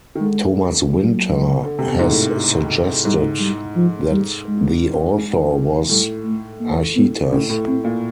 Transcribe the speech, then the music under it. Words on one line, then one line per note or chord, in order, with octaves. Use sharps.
Thomas Winter has suggested that the author was Archytas.
D#3
D3 G#3
F#3
D3
C3
B2
G#2
A2
G#2 G3
G3
F3
G3
G#3
G#3
A2 G3
A3
A#3
B3
A2 C#4
A2
A2 C4
A#2